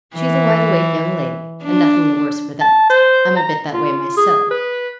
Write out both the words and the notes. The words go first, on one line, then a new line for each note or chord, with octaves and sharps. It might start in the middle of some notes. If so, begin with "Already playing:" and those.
She is a wide-awake young lady, and nothing the worse for that: I'm a bit that way myself.
E3
D4
A5
C5
A#5
F4
G#4
B4